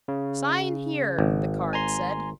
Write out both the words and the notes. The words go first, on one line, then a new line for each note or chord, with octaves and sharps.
Sign here, the card said.
C#3
G#1
G#5 A#5 C6